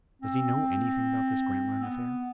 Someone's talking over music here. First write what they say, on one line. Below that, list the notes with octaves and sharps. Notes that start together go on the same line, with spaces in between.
"Does he know anything about this Grantline affair?"
C4
B3